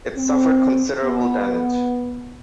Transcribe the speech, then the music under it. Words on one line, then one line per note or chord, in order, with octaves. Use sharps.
It suffered considerable damage.
C4
B3